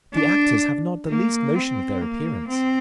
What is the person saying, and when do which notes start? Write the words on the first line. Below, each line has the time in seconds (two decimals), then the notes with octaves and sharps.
The actors have not the least notion of their appearance.
0.14 D4
1.07 A#3
1.55 C4
2.01 A#3
2.48 C4